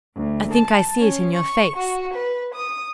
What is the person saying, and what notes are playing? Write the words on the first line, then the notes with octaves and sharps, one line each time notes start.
I think I see it in your face.
D2
A5
C#4
C#6
F#4
B4
D#6